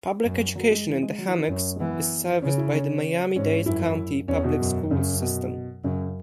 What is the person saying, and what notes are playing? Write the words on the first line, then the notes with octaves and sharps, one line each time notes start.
Public education in The Hammocks is serviced by the Miami-Dade County Public Schools system.
F#2
F#3
G#3
E3
G#3
F#3
E3
E4
F#2 C#4
G#3
E3 B3
C#3 C#4
E4
C#4
G#2 C#4
F#2 E4
E2 C#4
B2
F#2
F#2 C#3
B2
F#2 C#3